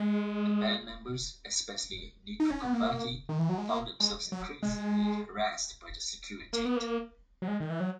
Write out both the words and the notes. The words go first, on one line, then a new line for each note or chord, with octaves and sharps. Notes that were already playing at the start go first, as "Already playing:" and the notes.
The band members, especially Nicu Covaci, found themselves increasingly harassed by the Securitate.
Already playing: G#3
D#4
C#4
B3
A#3
D#3
E3
F#3
G#3
A#3
G#3
F#3
G#3
A#3
B3
A#3
F#3
G#3
D#3
E3
F#3